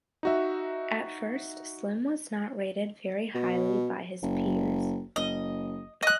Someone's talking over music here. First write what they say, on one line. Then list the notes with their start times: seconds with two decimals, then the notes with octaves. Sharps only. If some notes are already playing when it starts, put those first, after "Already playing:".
At first Slim was not rated very highly by his peers.
0.23 D#4 F#4 E5
3.35 B2
4.23 F#1
5.16 F#1 D#5
6.03 D#5 F#6